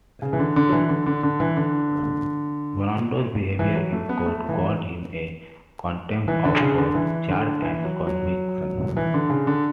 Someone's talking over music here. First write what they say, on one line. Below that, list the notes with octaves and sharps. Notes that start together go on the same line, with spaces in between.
Brando's behavior in court got him a contempt of court charge and conviction.
C#3
E3
D3
D3
F#3
E3
D3
D3
D3
E3
D3
E3
F#3
A3
B3
A3
E3
E3
D3
C#3
D3
E3
D3
E3
F#3
F#3
E3
D3
C#3
D3